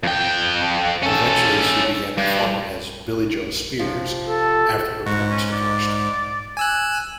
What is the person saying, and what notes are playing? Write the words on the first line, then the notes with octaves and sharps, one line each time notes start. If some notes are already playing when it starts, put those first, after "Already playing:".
Eventually she began performing as Billie Jo Spears after her parents divorced.
F2 G5
C#4 A4
G2
C3 F3 F4
A4
G#2 F#4
C#4
D5
G#5 E6 F#6